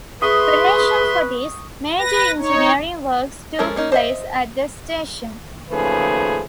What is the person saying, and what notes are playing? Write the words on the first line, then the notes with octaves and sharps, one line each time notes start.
In preparation for this, major engineering works took place at the station.
G#4 B4 E5 C6 C#6 D#6
B4 A#6
D#4 C#5
F3 G#3 C#4 A4 A#4
A#3 C#4 D#4
C5 D#5 E5
D#2 C#3 F3 A3 G#4 B4